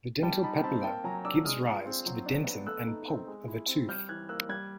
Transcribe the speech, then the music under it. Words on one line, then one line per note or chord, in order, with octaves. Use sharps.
The dental papilla gives rise to the dentin and pulp of a tooth.
G3 G5 A5
D#4 A5 B5
C4 A5 B5
A#3 G5 A5
F#3 G#5 A#5
D4 D6 E6
G#3 D#6 F6
F4
C4
F#3
D4
B3
A3 E6 F#6
D#4
C4
G#3
E4
C4
G3 F6 G6
E3 F#6 G#6
A#3 E6 F#6
G3 F#6 G#6